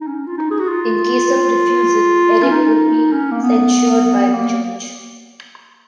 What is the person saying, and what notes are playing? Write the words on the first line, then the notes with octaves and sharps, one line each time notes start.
In case of refusal, Eric would be censured by the Church.
D#4
C#4
F4
D#4
G#4
F#4
F4
C#4
D#4
C#4
A#3
B3
A#3